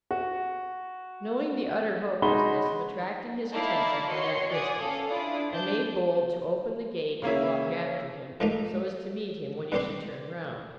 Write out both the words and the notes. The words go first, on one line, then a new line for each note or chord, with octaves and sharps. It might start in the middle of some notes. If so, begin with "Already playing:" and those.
Knowing the utter hopelessness of attracting his attention from that distance, I made bold to open the gate, and walk after him, so as to meet him when he should turn round.
F#4
G#3 D#4 F#4 B5 C6 G7
D#4 E4 D5 F5 A5 A#5
F#4 C#5 D#5 C6 C#7
D5 F#5 G#5 D#6
C#4 A4 F5
D4 E4 F4 D5 D#6
D4 C5 A5 G6
C#3 A#3 C#4 E4
G#2 F3 A3 A#3 D#4
G2 G3 C4 G4 C5 C6